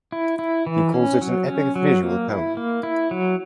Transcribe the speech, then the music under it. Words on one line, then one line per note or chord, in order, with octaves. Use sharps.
He calls it an epic visual poem.
E4
E4
E3
C#4
F#3
C#4
F#3
A#3
E4
A#3
E4
F#3